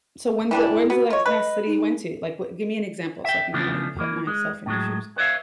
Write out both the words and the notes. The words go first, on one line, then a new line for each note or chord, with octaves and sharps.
So, when's the when's the last last city you went to? Like, wh give me an example so I can kinda like put myself in your shoes.
E3 G3 D4 E4
B3 F#4
F4 C#5 D#5
B4 D#5
D#4
E5 G5
C#3 E3 F3 A3 B3 D4
E3 A#3
G#3
A2 F#3 G#3
B4 C#5 D5 E5 F5